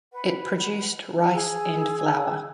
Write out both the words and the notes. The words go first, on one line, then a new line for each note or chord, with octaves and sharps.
It produced rice and flour.
B4 F#5
G#4 G#5 E6